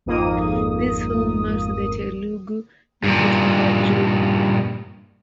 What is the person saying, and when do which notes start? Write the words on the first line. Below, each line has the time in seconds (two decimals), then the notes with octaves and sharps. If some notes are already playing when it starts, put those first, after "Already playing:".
This film marked the Telugu debut of Arjun.
0.06 G#1 F2 A#3 D#6
3.04 G2 A#2